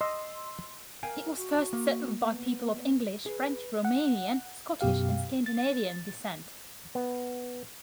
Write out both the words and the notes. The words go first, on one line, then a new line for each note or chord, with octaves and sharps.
It was first settled by people of English, French, Romanian, Scottish and Scandinavian descent.
D#5 C6 E6
A#4 F5 G5 G#5
F#4
A#3
B3
G#4 B4
F#5
F#2 B2 G4 F5
A6
B3